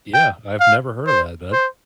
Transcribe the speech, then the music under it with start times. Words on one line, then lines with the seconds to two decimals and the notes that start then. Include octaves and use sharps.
Yeah, I've never heard of that, but,
0.14 G5
0.60 F5
1.07 C5
1.52 C5